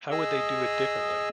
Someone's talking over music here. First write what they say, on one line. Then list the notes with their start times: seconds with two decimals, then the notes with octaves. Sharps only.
How would they do it differently?
0.11 G#4 D#5 E6